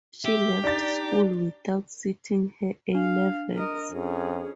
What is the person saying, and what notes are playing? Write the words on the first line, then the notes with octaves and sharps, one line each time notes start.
She left school without sitting her A levels.
G4 E5
D4 D#4 A6
D4 F5
A#4 D#5
F2 C#4 G#4